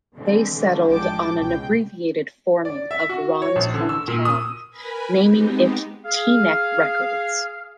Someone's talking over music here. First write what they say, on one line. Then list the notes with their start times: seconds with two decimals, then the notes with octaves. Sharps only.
They settled on an abbreviated forming of Ron's hometown, naming it T-Neck Records.
0.14 B2 D3 E3 G#3 C4
0.55 D3 G3 A3
0.87 A1 F3 G#3 G5 A5 D6
1.37 C#2 B2 G5
2.65 D5
2.91 E5
3.09 F#4
3.42 C#5
3.56 A#1
3.74 D3
3.89 E6
4.08 A#2
4.25 D#6
4.70 A#4 B4 G#5 B5
5.20 G#3 B3 C4 D#4 G4
6.05 G#4 F5